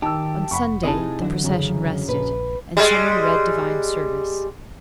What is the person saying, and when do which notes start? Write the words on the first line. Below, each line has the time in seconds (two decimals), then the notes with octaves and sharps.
On Sunday the procession rested and some one read divine service.
0.02 D#3 G4 A5 E6
0.51 F1 F#5 B5 C#6
0.84 C3 D#4 E4 G#4 D#5 A5
1.22 D3 E3 F#3
1.44 F#2 C#3
2.09 A#1 B4
2.77 G3 G#3